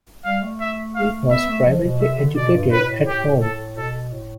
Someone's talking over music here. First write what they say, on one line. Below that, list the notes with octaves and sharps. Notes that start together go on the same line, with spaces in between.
He was privately educated at home.
G3 F5
A3
E5
F5
B3 E5
A3
F3
B2
C3 E5
D3
B2 D5
G2
A2 B4
B2
A2
A2 G4
A2 A4
B2 A4
A2